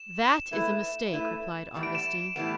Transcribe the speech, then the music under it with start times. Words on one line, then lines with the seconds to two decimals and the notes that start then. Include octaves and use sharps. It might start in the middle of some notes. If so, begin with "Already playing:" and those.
"That is a mistake," replied Augustine.
Already playing: E7
0.51 A3 E4 B4
1.12 A3 E4 B4
1.74 A2 E3 G3 B3
1.83 D7
1.95 E7
2.15 E7
2.36 A2 E3 G3 B3 E7